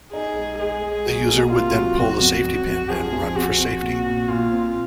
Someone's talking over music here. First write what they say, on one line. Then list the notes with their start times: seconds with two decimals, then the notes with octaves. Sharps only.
The user would then pull the safety pin and run for safety.
0.13 D#4 G#4
0.36 G#3
0.60 G#3 G#4
0.82 G#3
1.06 F#3
1.28 A#3
1.51 C3 F4
1.75 F#3
1.98 F2 F#4
2.21 F2
2.44 F2
2.67 F2
2.89 F3 G#4
3.13 F2
3.36 C4 F#4
3.59 C4
3.82 A#2
4.05 A#2
4.28 A#2 F4
4.51 C4